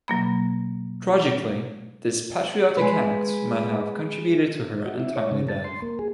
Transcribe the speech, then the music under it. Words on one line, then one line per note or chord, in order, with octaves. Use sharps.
Tragically, this patriotic act may have contributed to her untimely death.
B2 F#3 A#3 B5
G#3 B4
F#4
E4
C#5
C#3
A5
C6
A#3
G#4